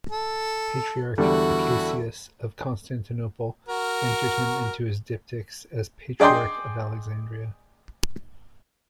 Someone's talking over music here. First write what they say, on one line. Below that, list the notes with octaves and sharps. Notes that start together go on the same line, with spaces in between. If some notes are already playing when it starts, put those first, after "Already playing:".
Patriarch Acacius of Constantinople entered him into his diptychs as Patriarch of Alexandria.
A4
E2 D3 G3 E4 F#4 A4
F#4 A#4
G#4 D5 D#5 G5 C6